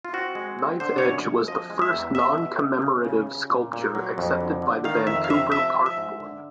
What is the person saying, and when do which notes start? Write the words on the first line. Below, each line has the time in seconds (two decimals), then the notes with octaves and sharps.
Knife Edge was the first non-commemorative sculpture accepted by the Vancouver Park Board.
0.05 F4
0.14 C4 F#4
0.35 G#3
0.59 C4
0.80 D3 C5
0.98 F#2 C#5
1.25 F#2
1.48 F3 D#5
1.70 G#3
1.82 E5
1.93 E2
2.15 B2 E5
2.38 B2
2.60 B2
2.82 C#3
3.05 C#3
3.27 C#3
3.50 A#2
3.73 A#2
3.95 F#3
4.18 F2
4.41 D3
4.62 D3
4.84 D#3 F5
5.07 F2 E5
5.24 F5
5.30 C3 E5
5.52 F3 E5
5.74 F3
5.86 E5
5.97 G#2
6.20 D3